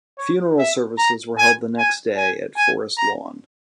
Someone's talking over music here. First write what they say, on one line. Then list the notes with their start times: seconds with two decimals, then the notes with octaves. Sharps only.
Funeral services were held the next day at Forest Lawn.
0.18 C#5
0.59 E5
0.98 A#5
1.38 G#5
1.79 G#5
2.17 G#5
2.57 G#5
2.98 A#5